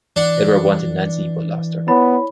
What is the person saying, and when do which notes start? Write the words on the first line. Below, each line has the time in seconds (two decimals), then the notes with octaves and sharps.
Edward wanted Nancy but lost her.
0.16 E3 D4 F#5
1.88 B3 E4 C#5 B5